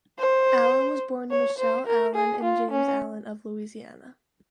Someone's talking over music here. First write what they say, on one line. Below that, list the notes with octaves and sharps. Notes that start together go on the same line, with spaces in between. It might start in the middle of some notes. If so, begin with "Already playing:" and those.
Allen was born to Michelle Allen and James Allen of Louisiana.
C5
C#5
C5
A#4
G#4
F4
C#4